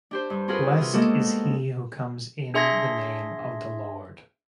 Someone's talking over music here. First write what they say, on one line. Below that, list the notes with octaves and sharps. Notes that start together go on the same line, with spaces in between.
Blessed is he who comes in the name of the Lord.
D4 G4 C5
G2
C4 F4 F#4 G#4 A#4 B4
C3 F4
G#3 A#3 B3 F#4 G4 A4
D4 G#4 E5 C6 G#6 A#6